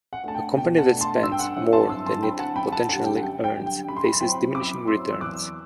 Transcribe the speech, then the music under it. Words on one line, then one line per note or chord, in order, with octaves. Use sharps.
A company that spends more than it potentially earns faces diminishing returns.
F#5
A3 D4 A5
G5
B2 G5
F#5 A5
A3 D4
A5 C6
G2 C6 E6
G5
F#5
D3 F#3 C4 E4 F#5
A5 C6
G2 C6 E6
A5 C6
D3 F#3 C4 E4 G5 B5
F#5 A5
F#2 G5 B5
F#5 A5
D3 G3 F#5 A5
G5
F#5
F#2 G5
G5
D3 G3
G5
F#2 B5
C6
B5
C6
F#3 C4 E4 G5 B5
F#2 B5 D6
F#3 C4 E4 C6 E6
E6
E2 D6 F#6